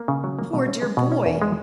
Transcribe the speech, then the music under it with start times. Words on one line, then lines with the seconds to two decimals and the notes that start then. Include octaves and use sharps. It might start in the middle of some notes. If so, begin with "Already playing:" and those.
Poor dear boy!
Already playing: A#3
0.08 C#3
0.24 F#3
0.39 A#3
0.53 B2
0.68 C#4
0.82 G#3
0.97 B2
1.12 C#4
1.26 E2
1.42 G#3